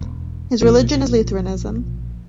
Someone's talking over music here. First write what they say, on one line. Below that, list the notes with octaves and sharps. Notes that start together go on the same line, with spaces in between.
His religion is Lutheranism.
E1
A#1 B2 F3